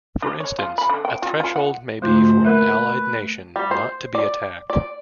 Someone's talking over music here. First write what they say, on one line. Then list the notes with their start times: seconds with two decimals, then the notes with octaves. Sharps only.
For instance, a threshold may be for an allied nation not to be attacked.
0.22 D4
0.40 C#5
0.59 F4
0.78 B5
0.89 D3
1.05 G5
1.22 F4
1.40 F4
1.56 F#5
2.02 D2 G#2 A3 F4 C5
2.44 A3 A#3 A#4 B4 E5
3.56 G3
3.71 C5
4.15 D5
4.70 D5